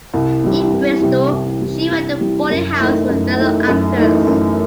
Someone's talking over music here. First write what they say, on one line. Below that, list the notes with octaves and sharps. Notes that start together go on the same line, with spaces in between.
In Bristol she ran a boarding house for fellow actors.
C2
C3 E3 G3
C2
C3 E3 G3
C2
C3 E3 G3
C2
C3 E3 G3
F#2
E3 A3 D#4
F#2
E3 A3 D#4
F#2
E3 A3 D#4
F#2